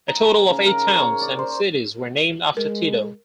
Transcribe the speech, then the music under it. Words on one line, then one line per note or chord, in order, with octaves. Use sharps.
A total of eight towns and cities were named after Tito.
D#4
C#3
A#4
C#5
D5
C5
G#3 A#4